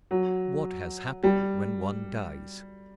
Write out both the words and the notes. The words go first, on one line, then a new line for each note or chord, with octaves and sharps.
What has happened when one dies?
F#3
G3